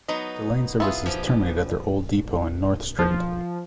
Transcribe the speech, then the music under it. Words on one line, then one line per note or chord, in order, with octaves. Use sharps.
Delaine services terminate at their old depot in "North Street".
F#3 B3 D#4 D#5
B3 E4 F4 G#4
F3 G4 G#5
F3